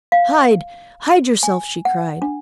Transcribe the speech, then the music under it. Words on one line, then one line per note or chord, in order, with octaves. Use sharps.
"Hide! hide yourself!" she cried.
F5
G#5
F#5
D4